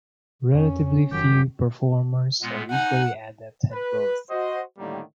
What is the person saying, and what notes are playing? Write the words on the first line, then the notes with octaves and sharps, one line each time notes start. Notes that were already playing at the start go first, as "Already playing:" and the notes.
Relatively few performers are equally adept at both.
F2 C#4
F1 F#2 D#3 G4
A#2 G#3 B3
D#4 F#5 G#5
B4
F#4 C5 D#5
A2 D3 D#3 G3 A#3